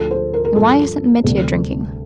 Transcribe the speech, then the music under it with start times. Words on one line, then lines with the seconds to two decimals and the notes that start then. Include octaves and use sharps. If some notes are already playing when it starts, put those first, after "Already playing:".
And why isn't Mitya drinking?
Already playing: D2 D3 F3 A4
0.11 C5
0.34 A#4
0.45 A#4
0.56 G2 F3 A4
1.24 D2 C3 G3